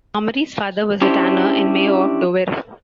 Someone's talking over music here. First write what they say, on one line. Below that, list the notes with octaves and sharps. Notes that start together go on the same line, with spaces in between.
Mummery's father was a tanner and mayor of Dover.
C#4 D4 E4 G4 C5